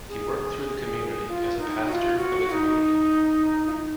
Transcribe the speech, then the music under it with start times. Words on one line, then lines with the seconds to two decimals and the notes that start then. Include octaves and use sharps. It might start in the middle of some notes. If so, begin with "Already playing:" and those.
He worked through the community as a pastor of the community.
0.09 G#4
1.28 F4
1.58 D#4
1.88 F#4
1.93 F4
2.18 F#4
2.48 F4
2.52 D#4
3.67 F4
3.71 D#4